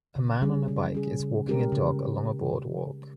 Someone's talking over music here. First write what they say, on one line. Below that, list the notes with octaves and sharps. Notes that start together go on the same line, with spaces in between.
A man on a bike is walking a dog along a boardwalk.
C#3
G3 C#4 G#4
C#3
G3 C#4 G#4
C#3
G#3 C#4 G4 A#4
C#3